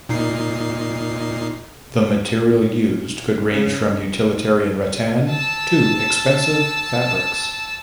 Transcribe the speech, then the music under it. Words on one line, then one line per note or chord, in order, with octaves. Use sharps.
The material used could range from utilitarian rattan to expensive fabrics.
A#2 D#4 C7
C#3
A5 E6